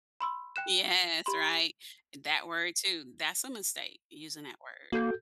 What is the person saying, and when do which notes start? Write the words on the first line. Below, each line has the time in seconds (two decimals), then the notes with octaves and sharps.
Yes, right? And that word, too. That's a mistake, using that word.
0.21 B5 C6 E6
0.56 G5 F#6 E7
1.26 G4 B5 C6
4.92 A#3 F#4 A4 G6